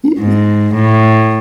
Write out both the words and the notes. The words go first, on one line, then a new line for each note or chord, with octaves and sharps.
Y y
G#2
A2